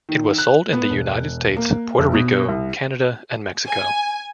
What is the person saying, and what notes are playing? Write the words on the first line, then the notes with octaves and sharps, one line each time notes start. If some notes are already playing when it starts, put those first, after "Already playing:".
It was sold in the United States, Puerto Rico, Canada and Mexico.
D#3
F#6
B3
E1
A#3
F1
B2
C2
G#5